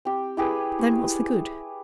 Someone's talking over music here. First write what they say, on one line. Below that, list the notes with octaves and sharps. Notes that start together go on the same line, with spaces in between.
"Then what's the good?"
C4 G4
E4 G4 G#4 B4
C#6